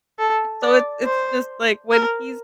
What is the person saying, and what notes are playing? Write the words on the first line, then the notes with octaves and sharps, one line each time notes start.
So it's it's just, like, when he's
A4
D5
C5
A#4